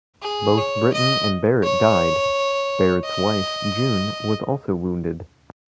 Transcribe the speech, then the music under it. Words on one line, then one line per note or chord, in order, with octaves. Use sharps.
Both Britton and Barrett died; Barrett's wife, June, was also wounded.
G#4
C#5
D#5
C#5
D#5